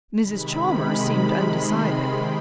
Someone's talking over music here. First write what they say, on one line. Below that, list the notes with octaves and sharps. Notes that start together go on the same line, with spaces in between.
Mrs. Chalmers seemed undecided.
C3 D#3 G#3 B5
C6
B5
G5